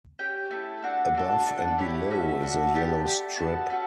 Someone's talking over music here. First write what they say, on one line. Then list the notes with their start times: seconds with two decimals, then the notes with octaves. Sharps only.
Above and below is a yellow strip.
0.19 C#4 G4 G5
0.51 A3 E4 A4
0.82 D4 F#4 A4 F#5
1.15 D4 F#4 A4
1.46 D4 A4 E5
1.58 F#5
1.68 D5
1.78 A3 E4 G4 C#5
2.10 C#4 F#4 A4 E5
2.42 D4 F#4 A4
2.74 B3 D4 G4 A5
3.06 A3 E4 G4
3.38 B3 F#4 A4 A5
3.70 A3 C#4 F#4 A4